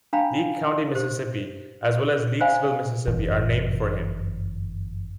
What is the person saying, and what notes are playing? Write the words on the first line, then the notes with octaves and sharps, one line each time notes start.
Leake County, Mississippi, as well as Leakesville, Mississippi are named for him.
D4 F5 G5 A#5 B5
G4 C5
C5 D5 E5 F5 G#5 B5
G1 F#2 E3